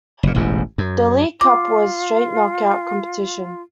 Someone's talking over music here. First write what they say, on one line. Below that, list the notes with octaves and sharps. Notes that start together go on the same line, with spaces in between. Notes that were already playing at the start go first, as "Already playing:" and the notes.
The League Cup was a straight knock-out competition.
F#1 A#2
E1 A1 E2 G#2
F#2
F4 D6